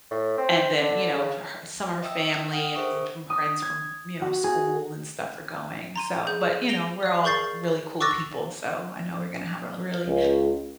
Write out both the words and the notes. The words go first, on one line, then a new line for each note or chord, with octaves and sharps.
And then, you know, for her some of her family and then some friends from, you know, school and stuff are going, so but, you know, we're all really cool people, so I know we're gonna have a really
A2
C4
D3
C#3
D#5 E5 G5 D#6 E6
F#5 G5 D#6 F6
G#4 A#4 C5 E5 C#6 D#6
D#6
G#6
F#4
G#4
A#5 C6 D#7
G#4 G6
A#6 D7 F7 G7
D5 F5
G#4 A#4 C#6 G6 A6 C7
C#6 D6 E6 F#6 A6 A#6
C#2